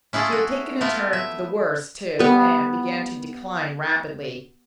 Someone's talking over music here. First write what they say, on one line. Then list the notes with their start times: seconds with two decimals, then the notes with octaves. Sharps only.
She had taken a turn for the worse, too, and began to decline rapidly.
0.13 C#4 E4 F4 G#4 A4
0.32 F#4
0.81 A3 B3 E4 F4
1.13 E5
2.19 G3 B3